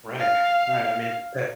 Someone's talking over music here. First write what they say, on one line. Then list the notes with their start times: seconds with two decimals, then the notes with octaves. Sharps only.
Right, right. I mean, at
0.19 F5